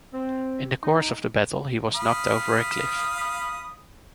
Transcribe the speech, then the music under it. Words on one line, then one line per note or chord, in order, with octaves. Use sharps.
In the course of the battle he was knocked over a cliff.
C4
D#4
F5 B5 D#6